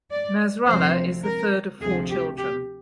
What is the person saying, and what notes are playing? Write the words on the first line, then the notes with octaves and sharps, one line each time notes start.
Nasrallah is the third of four children.
D5
D2 C3 F3 C4 C5
A#4
D2 C3 F3 G#4
G4
G4